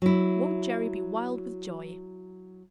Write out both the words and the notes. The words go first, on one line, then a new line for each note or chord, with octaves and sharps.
Won't Gerry be wild with joy?
F#3 E4